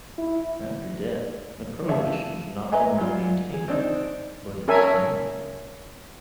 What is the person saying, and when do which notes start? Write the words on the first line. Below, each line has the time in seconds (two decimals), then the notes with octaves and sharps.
After death, the prohibitions are not only maintained but extended.
0.18 E4
1.89 E5 F5 A5
2.72 B4 D#5 E5 G#5 A#5
2.96 F#3 G3 F4
3.53 G#4
3.68 C4 D4 D#4
4.68 C#4 A4 A#4 E5 G#5